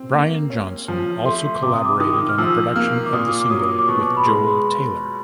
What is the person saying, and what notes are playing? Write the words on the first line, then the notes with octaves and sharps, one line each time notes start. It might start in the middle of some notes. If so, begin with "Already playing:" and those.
Brian Johnson also collaborated on the production of the single with Joel Taylor.
Already playing: C4
A#3
C#4
F3
A3 C6
C3 D6
D#6
D6
D#3 D#6
F6
F3 E6
A#3 F6
D6
A#2 D#6
D6
F#3 D#6
D6
B2 C#6
B5
G#3 C6